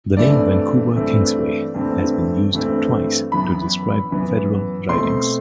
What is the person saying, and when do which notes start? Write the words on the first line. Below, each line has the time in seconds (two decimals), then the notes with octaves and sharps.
The name "Vancouver Kingsway" has been used twice to describe federal ridings.
0.17 G2 E3 A3 C4 D5
0.95 G2 E3 A3 C4
1.74 G2 E3 A3 C4
2.53 G2 E3 A3 C4
3.32 F#2 E3 B3 B5
4.11 F#2 E3 B3
4.89 B2 A3 C4 C6